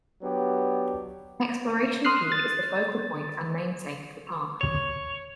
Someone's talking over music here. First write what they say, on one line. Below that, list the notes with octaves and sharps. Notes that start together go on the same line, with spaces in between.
Exploration Peak is the focal point and namesake of the park.
F#3 B3 D4 G4
C6 D#6 F6 F#6 C7
A6
C#5